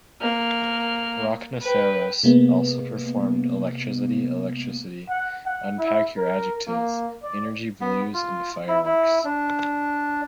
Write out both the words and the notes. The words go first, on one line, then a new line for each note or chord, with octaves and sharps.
Rocknoceros also performed "Electricity, Electricity", "Unpack Your Adjectives", "Energy Blues" and "Fireworks".
A#3 F6
B4 G5
C3 G#3 A#3 B3
F#5
F#5
E4
A#4
A#3
D5
B3
F4
E4
E4
D4